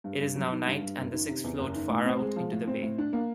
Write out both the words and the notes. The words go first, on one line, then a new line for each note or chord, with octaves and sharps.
It is now night and the six float far out into the bay.
G2
G2
F#3
D#3
G2
G2
F#1
D#3
C3
E2
F#1
D#3
A2
C4
G#3
F3
A2
C4
A2
D4
A#3